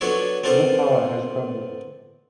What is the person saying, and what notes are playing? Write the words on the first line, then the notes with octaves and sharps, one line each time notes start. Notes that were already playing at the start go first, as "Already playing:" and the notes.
Your power has crumbled.
F#3 B3 D4 A4 C#5 D5
B3 C4 D4 A4 A#4 C5